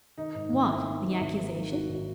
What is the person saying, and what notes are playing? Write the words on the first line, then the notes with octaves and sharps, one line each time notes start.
"What? the accusation?"
D#3 D#4
G#2
G#1
A#3 E4
D#3
G#2
D#4
G#1 E4
A#3
D#3
G#2 F#4
G#1